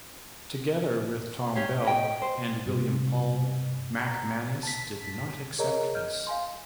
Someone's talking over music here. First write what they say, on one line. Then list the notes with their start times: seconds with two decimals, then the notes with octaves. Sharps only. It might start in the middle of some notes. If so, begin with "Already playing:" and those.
Together with Tom Bell and William Paul, MacManus did not accept this.
1.55 C#4 G4 C#5 F5
1.86 C#4 D#5 G5
2.22 C5
2.66 G2 C3
4.07 A#5
4.63 A5 B6
5.59 G#4 A#4 C#5 D#5 A#5
5.95 D#5 F6 G6
6.27 F5 G#5 C6